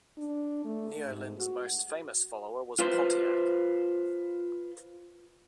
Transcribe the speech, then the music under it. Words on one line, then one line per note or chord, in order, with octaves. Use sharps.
Neolin's most famous follower was Pontiac.
D4
A3
G#2
F#4
F4 B4 C5 C6